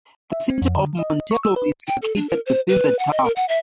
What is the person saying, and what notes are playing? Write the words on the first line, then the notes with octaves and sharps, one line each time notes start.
The City of Montello is located within the town.
E5
C4
F2
D3
D#5
C#6
E6
B4
G5
A4
D4
A#4
C5
B4
F#5
D#5
A#4
F#5
E5